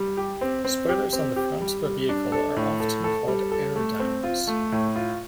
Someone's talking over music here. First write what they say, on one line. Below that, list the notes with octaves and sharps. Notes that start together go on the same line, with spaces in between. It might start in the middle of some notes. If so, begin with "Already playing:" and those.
Spoilers on the front of a vehicle are often called air dams.
Already playing: G3
G4
C4
C4
G4
C4
G4
G3
G3
D4
A4
A2
A4
A4
G3
A4
A3
C4
F4
A3
A2
F4